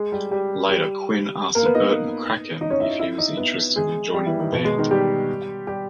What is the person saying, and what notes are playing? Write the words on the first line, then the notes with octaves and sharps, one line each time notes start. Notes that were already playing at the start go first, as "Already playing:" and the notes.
Later Quinn asked Bert McCracken if he was interested in joining the band.
Already playing: G#3 G#4
G3 G4
G3 G4
G3 G4
A#3 A#4
B3 B4
D#4 D#5
D#4 D#5
C#4 C#5
E4 E5
D#5
E4 E5
D#4 D#5
B3 B4
G#3 G#4
G3 G4
E3 E4
D#3 D#4
B2 B3
G#3
D#3 D#4
G3 G4
G3 G4